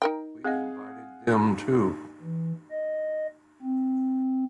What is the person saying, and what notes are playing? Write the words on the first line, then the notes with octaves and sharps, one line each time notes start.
We invited them to.
D#4 A#4 G5
C4 G#4 D#5 F5 F#5
E3
D#5
C4